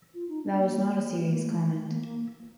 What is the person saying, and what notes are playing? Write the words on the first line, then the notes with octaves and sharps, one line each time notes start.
That was not a serious comment.
F4
D#4
D4
A#3
A3
A#3
A3
A3
A#3
A#3